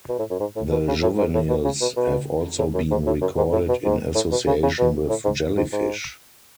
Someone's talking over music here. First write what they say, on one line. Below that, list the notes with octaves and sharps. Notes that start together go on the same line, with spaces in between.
The juveniles have also been recorded in association with jellyfish.
B2
A2
F#2
G#2
A2
B2
C#3
A2
G#2
A2
B2
C#3
B2
B2
A2
F#2
G#2
A2
F#2
G#2
A2
B2
G#2
A2
B2
C#3
C#3
B2
A2
G#2
G#2
G#2